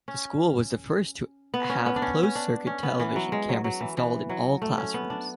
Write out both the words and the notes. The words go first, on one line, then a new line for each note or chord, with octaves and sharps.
The school was the first to have closed-circuit television cameras installed in all classrooms.
C#4
B3
C#4
B3
D4
C#4
C#4
D4
C#4
B3
E3
F#3
G#3
F#3
F#3
E3
E3
F#3
A3
C#4
B3
D4